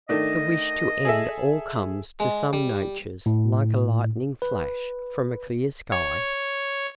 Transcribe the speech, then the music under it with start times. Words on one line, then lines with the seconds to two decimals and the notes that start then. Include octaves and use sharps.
The wish to end all comes to some natures like a lightning flash from a clear sky.
0.09 D#3 A3 D4 D#5
1.05 G#4 A4 E5
2.20 G#3
2.53 G3
3.26 A2
4.42 B4
5.92 C#5